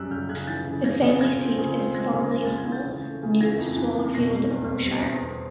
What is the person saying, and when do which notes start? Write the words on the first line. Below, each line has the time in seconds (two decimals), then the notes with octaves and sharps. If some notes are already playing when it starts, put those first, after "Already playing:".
The family seat is Farley Hall, near Swallowfield, Berkshire.
Already playing: F#2 G3 E6 F#6
0.11 C#3 F6 G6
0.29 C#3 F#6 G#6
0.47 E3 G6 A6
0.66 C#3
0.84 E3 G#6 A#6
1.02 C#3
1.21 F3 G#6 A#6
1.39 C4
1.58 C#3
1.75 C4
1.94 G#3 G#6 A#6
2.13 C#3
2.31 C4 A#6
2.45 C4 A6
2.58 G#6
2.67 E3 G6 A6
2.86 C#3
3.04 A3
3.23 C#3
3.41 E3 G#6 A#6
3.59 F2
3.77 E3
3.95 F2
4.14 B2 A#6 C7
4.32 G3
4.50 E2
4.69 C4
4.87 G3 A#6 C7
5.06 E2
5.24 C4